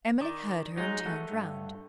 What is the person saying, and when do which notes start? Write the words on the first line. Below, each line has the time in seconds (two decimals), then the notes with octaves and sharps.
Emily heard her and turned round.
0.21 D#3 D5
0.77 F#3 G#3 D#4
1.06 A3 F#5
1.32 G2